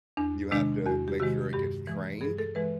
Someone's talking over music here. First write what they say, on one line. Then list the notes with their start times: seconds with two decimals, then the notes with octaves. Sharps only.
you have to make sure it gets trained,
0.17 E2 D4
0.51 C3 D#3 G#3 D4
0.86 E2 F#4
1.08 G4
1.20 C3 D#3 G#3 F#4
1.53 G2 G4
1.87 E3 G#3
2.21 G2 G#4
2.39 A4
2.55 E3 G#3 B4